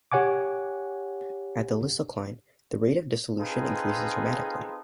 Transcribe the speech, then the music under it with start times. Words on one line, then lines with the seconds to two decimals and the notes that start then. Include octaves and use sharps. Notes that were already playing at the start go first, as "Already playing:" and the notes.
At the lysocline, the rate of dissolution increases dramatically.
0.12 G4 C#5 F#5 G#5 D6
3.39 C4 D#4 F4 G#4 A4 B4